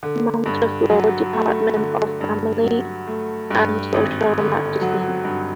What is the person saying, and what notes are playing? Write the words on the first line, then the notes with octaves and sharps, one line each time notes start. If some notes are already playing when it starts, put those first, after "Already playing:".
Montefiore Department of Family and Social Medicine.
D3
G2
F#3
A3
D3
G2
F#3
A3
G2
G#1
D3
F#3
G2